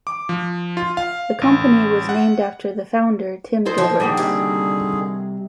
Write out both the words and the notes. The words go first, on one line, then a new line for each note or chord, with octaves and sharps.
The company was named after the founder Tim Gilberts.
D6
F3
F4
F5
A1
F#5
E4 A4 C5 D#5
F3
D3 D#3 G3 A#3 F#4 G#4
C3